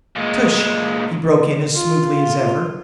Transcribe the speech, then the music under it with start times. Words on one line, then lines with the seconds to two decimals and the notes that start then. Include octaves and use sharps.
"Tush," he broke in as smoothly as ever.
0.16 A#2 G#3
1.74 F4